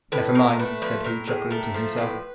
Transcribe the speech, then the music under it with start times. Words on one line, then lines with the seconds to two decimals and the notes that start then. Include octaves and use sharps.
"Never mind," said he, chuckling to himself.
0.12 A2 B4
0.35 A2 A#4
0.59 A3 B4
0.82 F3 B4
1.04 A2 A#4
1.27 A2 G#4
1.50 A3 A#4
1.74 F3
1.97 A2 B4